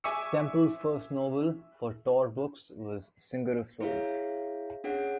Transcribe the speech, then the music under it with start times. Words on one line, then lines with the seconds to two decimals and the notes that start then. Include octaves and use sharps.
Stemple's first novel, for Tor Books, was "Singer of Souls".
0.04 E5 G#5 C#6 D6 E6 C#7
3.81 E4 G#4 C#5 E5 F5
4.84 C#4 D4 G#4 C#5 F#5